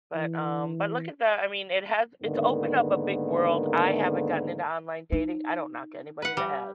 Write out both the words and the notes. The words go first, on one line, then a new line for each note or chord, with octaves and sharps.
but um, but look at that, I mean, it has it's opened up a big world. I haven't gotten into online dating, I don't knock anybody that has,
E3
G#2 D3 D#3 A#3 B3
D#4
B4 F#5
G3